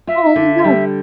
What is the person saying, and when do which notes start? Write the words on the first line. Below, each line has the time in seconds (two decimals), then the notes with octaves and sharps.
Oh, my god.
0.07 F4 E5
0.36 D3
0.64 G3